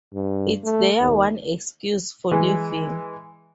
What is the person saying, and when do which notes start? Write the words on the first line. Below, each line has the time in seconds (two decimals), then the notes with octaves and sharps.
It's their one excuse for living.
0.14 G2
0.64 A3
1.00 D#2
2.31 E3 G#3